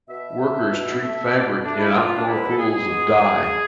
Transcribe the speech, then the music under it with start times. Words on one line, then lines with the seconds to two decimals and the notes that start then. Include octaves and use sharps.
Workers treat fabric in outdoor pools of dye.
0.09 B2 E5
0.40 A3
0.71 B2
1.02 A3
1.23 E5
1.33 B2 D5
1.63 A3 D4
1.79 E4
1.94 B2 F4
2.16 D4
2.26 G#3 B3 E4
2.36 C5
2.43 B4
2.49 A4
2.57 B2 G#4
2.87 G#3 B3
3.19 B2
3.50 G#3 B3